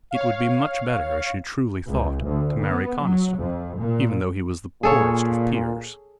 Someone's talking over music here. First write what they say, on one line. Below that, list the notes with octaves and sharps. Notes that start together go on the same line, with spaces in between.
It would be much better, as she truly thought, to marry Conniston, even though he was the poorest of peers.
C#5 F5
C#2
D2
B3
F#3
F2
A#2
A#2 G#4 A4 C#5